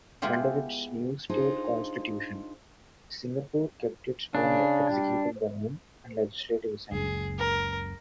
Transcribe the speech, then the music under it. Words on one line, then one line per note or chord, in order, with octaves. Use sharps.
Under its new State Constitution, Singapore kept its own executive government and legislative assembly.
G#3 B3 E4 F4 G4
D4 D#4 F4 G#4 C5
C#3 D4
G3
F#1 C#2 G#4
A#4